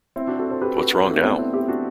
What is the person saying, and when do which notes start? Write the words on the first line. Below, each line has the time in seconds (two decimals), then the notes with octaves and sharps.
What's wrong now?
0.16 C4 E4
0.27 D4 F#4
0.39 F#4 A4
0.50 A4 C5
0.61 G4 B4
0.77 F#4 A4
0.92 F#4 A4
1.07 A3 C4
1.17 E4
1.23 B3 D4
1.38 C4 E4
1.53 E4 G4
1.68 D4 F#4